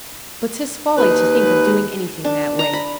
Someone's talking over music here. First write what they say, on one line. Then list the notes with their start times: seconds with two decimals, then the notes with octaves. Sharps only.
But 'tis folly to think of doing anything that way.
0.98 D#2 D#4 B4
2.25 D4
2.59 A#5
2.73 B5